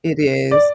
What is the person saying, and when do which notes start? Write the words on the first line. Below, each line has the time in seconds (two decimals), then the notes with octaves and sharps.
It is.
0.51 D5